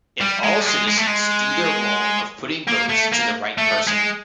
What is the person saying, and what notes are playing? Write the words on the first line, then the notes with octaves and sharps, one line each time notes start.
If all citizens do their role of putting votes to the right person.
G3
G#3
G3
G#3
G#3
A3
G#3
A#3
A3
A#3
A3
G#3